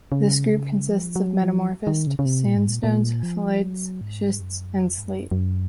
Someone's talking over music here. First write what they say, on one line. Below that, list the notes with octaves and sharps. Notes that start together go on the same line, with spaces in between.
This group consists of metamorphosed sandstones, phyllites, schists, and slate.
C#3
C3
C#3
F3
F#3
F3
D#3
C#3
C#3
C3
A#2
G#2
A#2
A#2
F3
F#3
G#2
F#2
F2
G#2
F#2
F#2